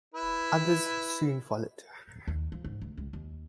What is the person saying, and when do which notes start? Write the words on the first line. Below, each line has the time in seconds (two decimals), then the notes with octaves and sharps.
Others soon followed.
0.14 E4 B4
2.27 D#2
2.52 F3
2.64 G#2
2.82 D2
2.97 C#2
3.13 D#2